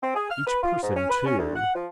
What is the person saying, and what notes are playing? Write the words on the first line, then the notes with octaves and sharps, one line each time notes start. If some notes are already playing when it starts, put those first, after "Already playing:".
Each person too.
C4
G#4
F6
B4
F4
G#2
C#4
B4
C#4
D2
F#5
F3